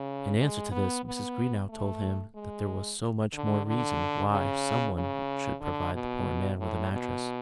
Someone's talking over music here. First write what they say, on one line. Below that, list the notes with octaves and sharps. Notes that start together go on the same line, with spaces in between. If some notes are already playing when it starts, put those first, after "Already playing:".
In answer to this Mrs. Greenow told him that there was so much more reason why some one should provide the poor man with a mattress.
Already playing: C#3
G#3
B3
B3
A3
G#3
D3
D3
C#3
C#3
D3
B2
A2
B2